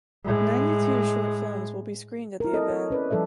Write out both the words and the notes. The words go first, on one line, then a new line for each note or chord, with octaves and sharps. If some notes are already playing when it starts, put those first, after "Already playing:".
Ninety two short films will be screened at the event.
A2 G#3
E4 A#4
C4 A4 D#5
C#5
C#4 B4 D5
F3 G3 A4 D5 E5